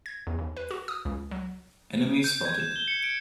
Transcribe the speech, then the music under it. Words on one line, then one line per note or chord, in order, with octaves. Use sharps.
Enemy spotted!
G#6
E2
D#2
B4
F#4
D#6
C#2
F#3
G6
G#6
E7
G7
C#7
D7